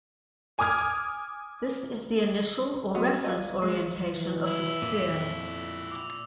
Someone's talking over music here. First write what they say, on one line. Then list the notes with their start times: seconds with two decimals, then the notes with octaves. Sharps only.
This is the initial or reference orientation of the sphere.
0.59 G#5 D6 D#6 F6 G#6
2.95 F#3 G#3 B3 C#5
3.24 G3 F4 D#5
3.62 G#3
4.13 E3
4.47 B1 E4 E6 F#7
4.82 F2 A#2
5.91 D6